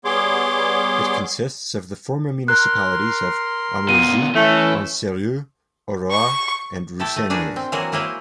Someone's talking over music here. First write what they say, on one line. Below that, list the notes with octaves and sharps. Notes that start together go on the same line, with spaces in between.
It consists of the former municipalities of Amougies, Anseroeul, Orroir and Russegnies.
G3 B3 G#4 C#5 C6 D6
A#4 C6 F#6
B2 F4 D#7
E3 A3 C#4
C#6
A3 E4 G4 A4
A3 D#5
D4 F#4 G#4 A#4 B4
C4
E3 F#3 A#3 F#4 G#4 A#4
G#3 A#3 E4 G#4 C5 C#5